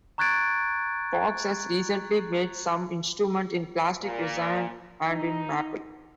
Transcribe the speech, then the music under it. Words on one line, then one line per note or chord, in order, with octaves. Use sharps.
Fox has recently made some instruments in plastic resin and in maple.
A#5 C#6 F#6 G#6 A6 D7
A#2
D#4